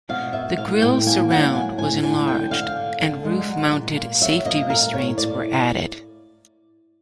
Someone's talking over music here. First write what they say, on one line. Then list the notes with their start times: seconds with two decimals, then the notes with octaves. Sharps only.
The grill surround was enlarged, and roof mounted safety restraints were added.
0.09 B2 F5
0.33 B2 E5
0.57 A2 F5
0.82 A2 G5
1.06 A#3 G#5
1.30 F#3 F#5
1.54 A2 G#5
1.78 A2 G#5
2.03 D3 G#5
2.27 D3 G5
2.51 D3 F5
2.76 D3
3.00 D3
3.25 G#3
3.49 F#3
3.73 A#2
3.97 A#3
4.21 F#3 E5
4.45 A#3 D#5
4.69 A#2 A#4
4.94 A2 C#5
5.18 A2 D5